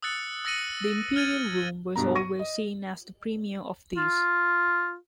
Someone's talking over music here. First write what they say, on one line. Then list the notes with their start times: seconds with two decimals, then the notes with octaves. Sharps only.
The Imperial Room was always seen as the premiere of these.
0.02 D#6 E6 F#6 A6 C#7
0.45 E6 A6 A#6 C#7 D#7 F#7
1.16 F6 G#6 A6 D#7
1.96 G2 B2 B3 A#5
2.15 C#6 A#6 D#7
2.39 D#5
3.97 F4